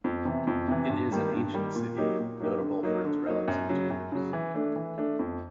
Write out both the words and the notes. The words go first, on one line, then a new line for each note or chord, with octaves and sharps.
It is an ancient city, notable for its relics and tombs.
F2
C3 E3
F2
C3 E3
G2
D#3 G3 A#3
G2
D#3 G3 A#3
A#2
F#3 A#3 D#4 G4
A#2
F#3 A#3 D#4 G4
D3
F#3 A#3 D#4
D3
F#3 A#3 D#4
F#2
C#3 F#3
F#2
C#3 F#3
E3
A3 D4
E3
A3 D4
F2